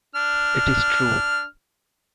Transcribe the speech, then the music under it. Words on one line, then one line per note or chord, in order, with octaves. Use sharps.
It is true.
D4 F6